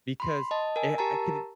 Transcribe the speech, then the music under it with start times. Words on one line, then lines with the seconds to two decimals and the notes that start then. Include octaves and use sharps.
because, eh I could it
0.20 B5 C6
0.51 D#5 A5
0.76 A#4 G#5
0.98 G4 A#4 A5 A#5